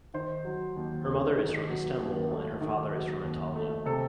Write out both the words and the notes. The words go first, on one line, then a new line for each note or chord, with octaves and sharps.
Her mother is from Istanbul and her father is from Antalya.
D#3 C5
F#3
D#2
A3
D#3
F#3
D#2
A3
D#3
F#3
D#2
A3
C3 A4